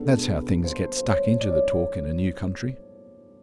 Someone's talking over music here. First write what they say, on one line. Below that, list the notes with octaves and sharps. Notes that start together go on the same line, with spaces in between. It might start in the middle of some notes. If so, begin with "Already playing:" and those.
That's how things get stuck into the talk in a new country.
Already playing: B2 G#3 B3 D4 A4
B4
C5
C5
C#5
D5
C#5